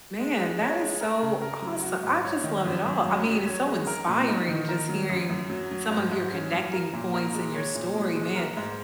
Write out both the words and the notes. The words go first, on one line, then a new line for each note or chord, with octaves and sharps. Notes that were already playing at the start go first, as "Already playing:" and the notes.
man, that is so awesome I just love it all. I mean, it's so inspiring just hearing some of your connecting points in your story, man
G#3
G#3
C#5
G#3
A#4
C#3
A#4
F#3
F#4
G#2
C#5
D#3
F#2
F#2
F#3
F#3
C#5
G#3
A#4
A#2
D#4
D#3
A#4
F#3
F#2
F#2
F#3
F#3
G#2
G#2
C#4
F#2
A#4
A#2
A#4
G#3
C#5
A#2
G#3
G#3
A#4
G#2